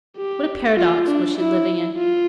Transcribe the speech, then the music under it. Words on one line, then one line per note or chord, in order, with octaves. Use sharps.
What a paradox was she living in!
G4
F4
D4
E4
F4